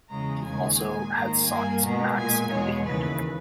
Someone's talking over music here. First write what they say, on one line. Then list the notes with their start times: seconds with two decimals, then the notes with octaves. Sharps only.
He also had sons Max and David.
0.08 E2 C#3 G#3 A#5
0.43 D#2 C#3 G#3 G#5
0.78 A#2 G#3 G#5
1.12 G#2 D#3 A#3 A#5
1.46 G2 G3 A#3 G#5
1.81 B2 G#3 A#5
2.16 A#2 G#3 G#5
2.51 E2 B2 G#3 C#5
2.85 D#2 C#3 E3 B4